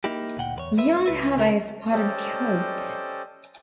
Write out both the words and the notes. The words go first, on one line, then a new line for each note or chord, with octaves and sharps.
Young have a spotted coat.
A#3 D#4 E4 G4
D2 A#2 F#5 G5
E2 B4 C#5
G#3 B4 E5
C#2 B4 E5
C#2 C#3 C#4 A4 A#4
C#4 G4 A4 C5 D5 D#5